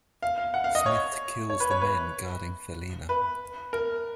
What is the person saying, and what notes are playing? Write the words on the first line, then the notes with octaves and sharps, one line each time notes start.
Smith kills the men guarding Felina.
F5
F5
F#5
F5
D#5
C#5
C#5
B4
C#5
B4
B4
A#4